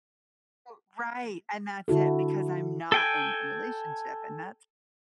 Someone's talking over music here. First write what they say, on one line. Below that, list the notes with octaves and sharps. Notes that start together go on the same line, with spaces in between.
oh right, and that's it because I'm not in a relationship, and that's
D3 E4 F#4 A4
A4 G5 G#5